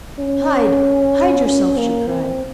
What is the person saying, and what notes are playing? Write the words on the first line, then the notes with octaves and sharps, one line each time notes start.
"Hide! hide yourself!" she cried.
C#4
C#4
A#3
C4